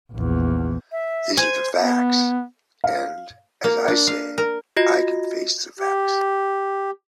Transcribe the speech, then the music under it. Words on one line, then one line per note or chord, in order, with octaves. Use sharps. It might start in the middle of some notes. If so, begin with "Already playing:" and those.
These are facts, and, as I said, I can face facts.
A#1 E2
E5
C5 G#5
B3
F5
A#3
D4
F5
A#4
F4 F#4 D#5 A#6
G4